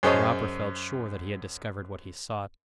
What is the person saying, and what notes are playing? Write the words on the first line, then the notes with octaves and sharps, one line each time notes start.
The robber felt sure that he had discovered what he sought.
F#2 G#4 C5 C#5 D#5 A5